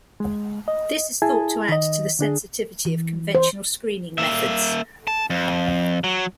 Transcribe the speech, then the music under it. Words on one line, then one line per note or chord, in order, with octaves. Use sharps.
This is thought to add to the sensitivity of conventional screening methods.
G#3
D#5
E4 G#4 G#5 A5
D#3 D#5
D3 D4 G#4
E3
C5
A#3 E5
A5
F2
F#3